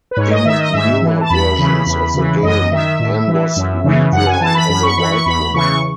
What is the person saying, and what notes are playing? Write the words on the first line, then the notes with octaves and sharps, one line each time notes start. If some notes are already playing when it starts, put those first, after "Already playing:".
In newer versions of the game, Anne was redrawn as a white woman.
B4
G#2 C#5
D#5
D#3 E5
D#5
G#2 E5
E3
A5
E2 B5
C#3 E3
E2
C#3 E3
F#2 D#5
D#3 E5
A2
E3
F#2
C#3 E3
F#2 F#5
G#5
E3 A5
B5
F#2 B5
C#6
E3 B5
C#6
E2 B5
C#3 E3 C#6